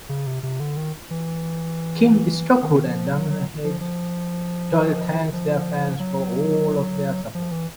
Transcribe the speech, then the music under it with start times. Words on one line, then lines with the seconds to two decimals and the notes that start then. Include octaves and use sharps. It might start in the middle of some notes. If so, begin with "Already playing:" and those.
Kim Stockwood and Damhnait Doyle thanked their fans for all of their support.
0.09 C#3
0.26 C3
0.43 C3
0.60 D3
0.77 D#3
1.11 E3
2.63 D#3
2.85 F3
3.07 F#3
3.30 F#3
3.64 F3
3.81 F3
5.33 F3
6.00 F#3
7.35 F3
7.51 E3